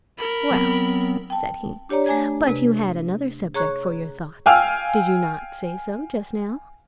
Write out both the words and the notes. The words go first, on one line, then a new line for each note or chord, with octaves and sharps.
"Well," said he, "but you had another subject for your thoughts; did you not say so just now?"
A#4 B5
F#3 B3 C4
G5 A5
D4 G4 C#5 D5 A#5
A3 D4 G#5 A#5 G#6
C3 B4
G#4 C#5 A#5 C#6 F#6 G#6
F5 G5 G#5 E6 F6